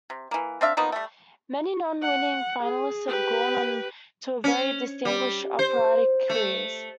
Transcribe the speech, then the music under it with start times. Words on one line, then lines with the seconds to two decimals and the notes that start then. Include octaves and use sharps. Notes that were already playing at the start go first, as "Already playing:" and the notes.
Many non-winning finalists have gone on to very distinguished operatic careers.
0.10 C3
0.31 E3 A#3
0.61 C4 D4 E5 F5
0.77 F3 A#3 B3 D#4
0.92 G3 A3
2.02 F#5
2.63 G#4
3.07 G4 B4
4.44 C#4
5.05 G3
5.59 C5
6.29 A3